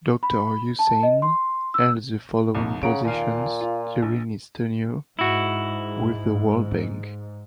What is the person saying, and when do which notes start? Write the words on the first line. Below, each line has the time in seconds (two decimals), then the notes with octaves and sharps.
Doctor Husain held the following positions during his tenure with the World Bank.
0.23 B5
0.79 A5
1.03 D#5
1.22 C6
1.74 E6
2.55 C2 F2 G#2
2.83 C#3 F#5 A#5 D7
3.04 D#2 A#2 F5
3.61 F4
4.02 A#1
5.19 G#2 E4 F#4